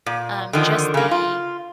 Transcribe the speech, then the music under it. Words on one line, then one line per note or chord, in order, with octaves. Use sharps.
um, just the,
A#2
D3 D#3 F3
C#3 A#3
F4